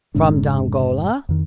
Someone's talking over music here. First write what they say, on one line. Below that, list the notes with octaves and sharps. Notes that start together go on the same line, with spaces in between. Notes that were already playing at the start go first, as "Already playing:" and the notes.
"From Dongola?"
F1 G#2 C#3 D4
F2 D#3